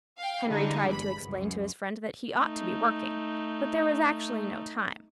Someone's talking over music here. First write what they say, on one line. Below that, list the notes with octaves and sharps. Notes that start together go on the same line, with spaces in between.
Henry tried to explain to his friend that he ought to be working, but there was actually no time.
F5 G5
D3 E3 G3 G#3 D4 D#4
G1 B5
C#2 F#2
A3 D#4